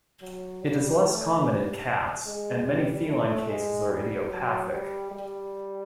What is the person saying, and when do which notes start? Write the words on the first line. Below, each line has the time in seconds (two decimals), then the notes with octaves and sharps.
It is less common in cats, and many feline cases are idiopathic.
0.22 F#3
0.62 G3
1.03 A3
1.44 G3
2.26 G#3
2.67 G3
3.08 A3
3.49 G#3
3.89 G3
4.30 F#3
4.71 G3
5.11 G3